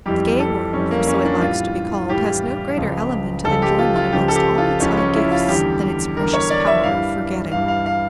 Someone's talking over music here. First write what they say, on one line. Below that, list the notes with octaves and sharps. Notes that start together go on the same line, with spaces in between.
The gay world, for so it likes to be called, has no greater element of enjoyment amongst all its high gifts than its precious power of forgetting.
F2 E3 G3 G4
A4
F2 E3 G3 C#4
A#3
C#4
D4
A2 E3 G3 F4
A2 E3 G3 G4
C#2 C#3 F3
C#2 C#3 F3 A4
G4
F4
F4
C#2 C#3 F3 G4
A4
G4
F4
C#2 C#3 F3 C#4
C#4
E4
F4
E2 D3 G3 G4
E2 D3 G3 A#4
C#5
D5
E5
G2 E3 G3 F5
G2 E3 G3 F5
F5
F5